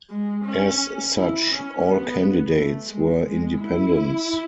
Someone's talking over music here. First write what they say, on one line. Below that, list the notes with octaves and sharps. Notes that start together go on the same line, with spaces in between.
As such, all candidates were independents.
G#3
C#4
E4
C#4
B3
A3
G#3
G#3
E4